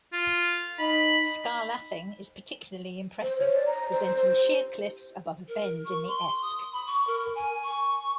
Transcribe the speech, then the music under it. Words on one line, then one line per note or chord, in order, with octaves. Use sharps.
Scar Lathing is particularly impressive, presenting sheer cliffs above a bend in the Esk.
F4
D#4 B5
C5
C#5
D5
A#5
C5
A#4
C#6
C6
D#6
B5
C#6
A#4
G#5
C#6